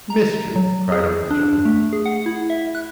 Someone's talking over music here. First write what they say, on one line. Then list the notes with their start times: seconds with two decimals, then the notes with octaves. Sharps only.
"Mystery!" cried Uncle John.
0.10 A#5
0.56 F#3
0.92 G#4
1.31 D4
1.65 A3
1.93 G#4
2.06 F#5
2.26 E4
2.50 E5
2.75 F#6